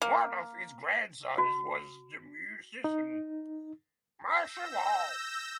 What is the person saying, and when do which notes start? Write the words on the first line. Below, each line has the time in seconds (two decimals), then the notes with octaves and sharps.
One of his grandsons was the musician Marshall Hall.
0.02 A#3
1.38 F#4
2.84 D#4
4.29 E6 G6 A#6